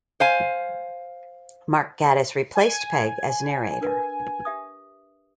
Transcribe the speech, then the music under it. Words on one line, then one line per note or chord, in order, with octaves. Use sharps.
Mark Gatiss replaced Pegg as narrator.
C5 F5 G#5
G#5
D4 A#4 B4
G4 E5 D#6